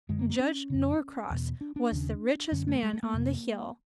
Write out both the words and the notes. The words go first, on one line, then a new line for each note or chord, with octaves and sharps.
Judge Norcross was the richest man on the Hill.
F#2 D3 G#3
A#3
A#3
C#4
F2 C#3
E2 B2
D4
D4
D#2 C#3
F#2 D3 C#4
A3
G#3
A3
A#3
F2 C3